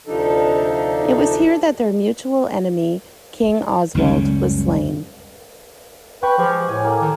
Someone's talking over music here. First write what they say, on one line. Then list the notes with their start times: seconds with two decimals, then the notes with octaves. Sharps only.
It was here that their mutual enemy, king Oswald was slain.
0.07 D2 C3 F3 D4 D#4 A4
3.95 F#1 C#2 G3 C#4
6.23 B4 G5 C#6
6.38 F3 G#3 G4
6.69 A2 G#5
6.84 A#3 A4
7.01 D#3